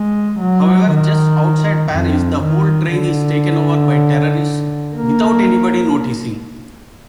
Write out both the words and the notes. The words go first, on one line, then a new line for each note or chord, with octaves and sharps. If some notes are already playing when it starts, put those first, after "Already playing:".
However, just outside Paris the whole train is taken over by terrorists-without anybody noticing.
Already playing: G#3
F#3
D#3
F2
D#3
D3
A#3